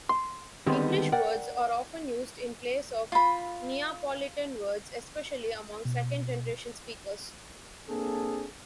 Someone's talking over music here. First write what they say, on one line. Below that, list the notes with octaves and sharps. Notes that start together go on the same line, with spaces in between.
English words are often used in place of Neapolitan words, especially among second-generation speakers.
C6
D3 D#3 G3 G#3 B3 C4
A#4 D5 F#5 G5
F4 B5
B2
A#3 C4 D4 G#4 A4